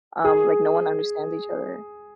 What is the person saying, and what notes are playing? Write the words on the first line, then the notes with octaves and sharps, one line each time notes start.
um, like, no one understands each other?
G#4